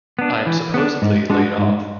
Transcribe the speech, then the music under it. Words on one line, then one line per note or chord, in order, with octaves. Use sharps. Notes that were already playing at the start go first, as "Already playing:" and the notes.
I'm supposedly laid off.
B3 D4
E3
B3 D4
G#2
G#3 D4 F#4
G#2